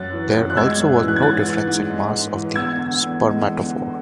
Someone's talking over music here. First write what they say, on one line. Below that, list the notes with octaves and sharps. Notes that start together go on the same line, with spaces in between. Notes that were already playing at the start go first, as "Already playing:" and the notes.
There also was no difference in mass of the spermatophore.
Already playing: F#2 F#6 A6
E3
F#2
F#6
G#3 E6 G#6
F#2
E3
F#6
G#6
G#2 F#6 A6
E3
G#2
G#3
G#2
E3
E2 E6 G#6
D3
E2
G#3
E2
D3